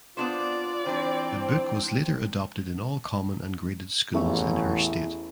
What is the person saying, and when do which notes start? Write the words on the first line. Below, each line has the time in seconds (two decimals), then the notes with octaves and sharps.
The book was later adopted in all common and graded schools in her state.
0.17 B3 D4 F4 C5 D5
0.86 E3 C4 D4 C5
4.14 A1 E2 E5 C#6